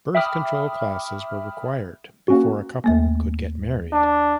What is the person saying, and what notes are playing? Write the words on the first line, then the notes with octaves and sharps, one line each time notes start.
Birth control classes were required before a couple could get married.
E5 G5 B5 D6 D#6 F6
A#3 C#4 F#4
D#2 A3 A#3
D4